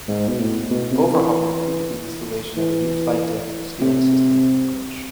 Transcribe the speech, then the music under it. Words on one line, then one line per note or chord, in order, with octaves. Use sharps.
Overhaul included the installation of a new flight deck, steering system, and bridge.
G#2
B2
A2
B2
C3
E3
E3
C3